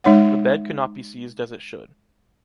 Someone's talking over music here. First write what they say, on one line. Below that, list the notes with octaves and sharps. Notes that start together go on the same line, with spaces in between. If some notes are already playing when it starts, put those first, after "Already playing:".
The bed could not be seized as it should.
G#3 D#4 C#5 F#5